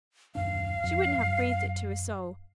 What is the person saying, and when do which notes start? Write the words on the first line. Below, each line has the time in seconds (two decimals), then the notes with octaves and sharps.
She wouldn't have breathed it to a soul.
0.35 D#1 F#2 D4 F5
0.83 F2
1.18 F#2